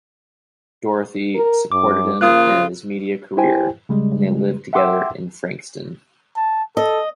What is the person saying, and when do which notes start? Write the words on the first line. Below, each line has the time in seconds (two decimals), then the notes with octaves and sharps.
Dorothy supported him in his media career and they lived together in Frankston.
1.35 A#4
1.72 F#2 D6
2.21 C#3 F3 A#3 F4 D#6 F#6
3.37 E4 G4 C5 G5 G#5
3.89 C#3 G3 G#3
4.73 E5 F#5 G5 C6 D6 E6
6.36 A5
6.77 A4 D#5